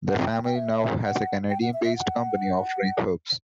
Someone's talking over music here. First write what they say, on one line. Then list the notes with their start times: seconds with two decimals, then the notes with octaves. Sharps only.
The family now has a Canadian-based company offering herbs.
0.08 F#5
0.21 G5
0.32 G5
0.44 G5
0.56 E5
1.03 F#5
1.50 G5
1.62 F#5
1.73 E5
1.85 E5
1.96 F#5